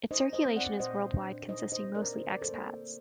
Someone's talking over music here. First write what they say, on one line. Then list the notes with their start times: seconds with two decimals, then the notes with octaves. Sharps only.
Its circulation is worldwide consisting mostly ex-pats.
0.11 D#4 C5 D#5
0.33 C5 D#5
0.46 C4
0.56 D5 F#5
0.79 A#2 C5 D#5
1.14 D4
1.49 D#4 C5 D#5
1.72 C5 D#5
1.84 C4
1.95 A#4 D5
2.18 D3 C5
2.29 D5
2.42 A4 C5
2.52 A#3